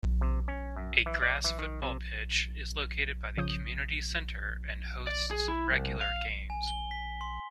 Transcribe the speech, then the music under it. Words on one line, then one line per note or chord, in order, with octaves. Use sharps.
A grass football pitch is located by the community centre and hosts regular games.
C3
C#4
F#2
E3
D5
E3
D#3
C3
C#3 F3 C#5 D#6 G6
D5
G#4
E4
C2
F5
G#5
G7
B6
C6